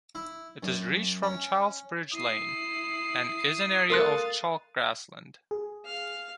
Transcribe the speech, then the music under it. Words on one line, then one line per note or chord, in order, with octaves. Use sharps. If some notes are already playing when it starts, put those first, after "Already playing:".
It is reached from Childsbridge Lane, and is an area of chalk grassland.
E4
F#2
C#4
E4 D#6 C7
A4 A#4 F5 C6 F#6 A6
G#4
F5